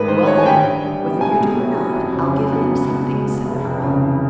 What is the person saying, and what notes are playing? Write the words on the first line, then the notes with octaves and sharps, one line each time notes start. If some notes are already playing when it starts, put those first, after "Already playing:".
"Well, then, whether you do or not, I'll give him something," said the earl.
Already playing: A1 G#2 A3 A#4 B4
D#3 C5
G3 C#5
G#5
D2 G5
D3
G3
B3
C2 G#5
B2
F#3
B3
F2
C#3
F#3
B3
C#2
B2
G#3
B3
F1
F2
C#3
E3